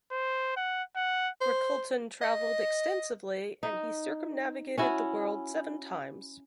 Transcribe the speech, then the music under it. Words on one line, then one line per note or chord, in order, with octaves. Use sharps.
Ricalton travelled extensively and he circumnavigated the world seven times.
C5
F#5
F#5
C5
D#5
D#4
C#4 E4 F#4